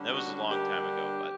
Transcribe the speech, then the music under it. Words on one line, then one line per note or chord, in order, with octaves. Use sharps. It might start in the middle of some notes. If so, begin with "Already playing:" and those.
That was a long time ago, but,
Already playing: D3 G3 C#4
F#4
D3 G3 A#3 D4 G4